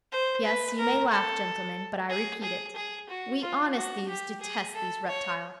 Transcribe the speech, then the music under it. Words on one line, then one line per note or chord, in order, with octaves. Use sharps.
Yes, you may laugh, gentlemen, but I repeat it: we honest thieves detest these reptiles.
C5
B4
A#4
A4
G#4
G#4
G#4
F#4
F4
F#4
G4
G#4
A4
C#5